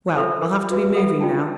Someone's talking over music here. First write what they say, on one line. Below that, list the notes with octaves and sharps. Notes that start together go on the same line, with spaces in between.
Well, I'll have to be moving now.
F4 A4 C5 E5 B5 E6
A#4
F#4 B4 D5 E5
A4 E5 F#5 B5
D#4 F4 D5 G5 A5